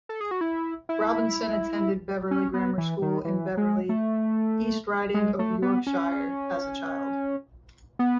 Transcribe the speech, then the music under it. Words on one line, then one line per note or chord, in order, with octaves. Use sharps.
Robinson attended Beverley Grammar School in Beverley, East Riding of Yorkshire, as a child.
A4
G#4
F#4
E4
E4
C#4
B3
E3
D#3
E3
G#3
A3
G#3
A3
B3
C#4
B3